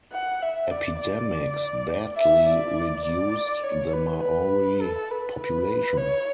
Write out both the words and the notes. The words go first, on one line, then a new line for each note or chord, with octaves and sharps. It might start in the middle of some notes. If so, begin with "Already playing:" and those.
Epidemics badly reduced the Maori population.
F#5
E5
D5
D5
E5
D5
D5
C#5
B4
B4
A4
B4
B4
C#5